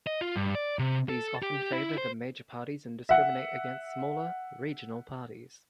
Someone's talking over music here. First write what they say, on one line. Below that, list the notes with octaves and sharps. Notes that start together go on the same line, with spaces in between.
These often favour the major parties and discriminate against smaller, regional parties.
D#5
F4
G2
D5
C3
A4
G4
E4
C5
E5 F#5